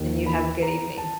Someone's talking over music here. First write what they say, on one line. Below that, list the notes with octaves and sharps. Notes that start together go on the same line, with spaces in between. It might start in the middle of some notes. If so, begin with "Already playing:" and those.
And you have a good evening.
Already playing: D#2 D#3
B5
A#5
A5